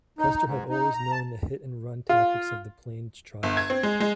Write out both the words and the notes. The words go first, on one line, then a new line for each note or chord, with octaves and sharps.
Custer had always known the hit and run tactics of the plains tribes.
D#4
G#2
D#4
A#5
A5
F4
G1
G#6
C4
G#3
G#3